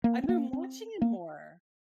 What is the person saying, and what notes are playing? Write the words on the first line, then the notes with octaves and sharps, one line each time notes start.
I've been watching him more.
A#3
C4
A#3
C4
A#3